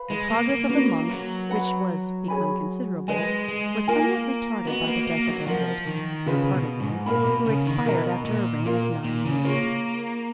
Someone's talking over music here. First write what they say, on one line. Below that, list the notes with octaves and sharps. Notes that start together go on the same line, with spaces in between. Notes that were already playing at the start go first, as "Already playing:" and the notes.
The progress of the monks, which was become considerable, was somewhat retarded by the death of Edred, their partisan, who expired after a reign of nine years.
Already playing: B4 F5 B5
G#3
A#3
A#3
A#3 C#4 F#4 B4
F#3
B4 F#5 B5
G#4 C#5 G#5 B5
G#3 B4 D#5 G#5
G#3
A#3 F4 A#4 F5 G#5
B3 F#4 B4 D#5
A#3
A#3
F#3
F3 F4 A#4 D#5 F#5
D#3
C#3 F4 G#4 B4 F5
B2
G#2
A#2 A#4 F5 B5
B2
C#3
D#3
B2 A#4 D#5 A#5
A#2
A#2 F4 A#4 F5
A#2
C#3
A#3 F4 G#4 C#5